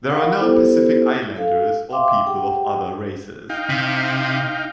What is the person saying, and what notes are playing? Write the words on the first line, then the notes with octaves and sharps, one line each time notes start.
There are no Pacific Islanders or people of other races.
A#4 F5 F#5 B5 C#6
B3 D#4 E4 G4 A4 C5
A4 F5
E5 F5 G5 C6 D6
G4 G#4 F#5 G5
D#4 F5 G5
C3